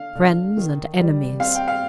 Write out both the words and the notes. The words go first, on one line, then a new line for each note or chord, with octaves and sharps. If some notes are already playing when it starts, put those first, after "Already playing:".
"Friends and enemies!"
Already playing: D3 F5
D3
D#3
G3
C4 F5
G5
F5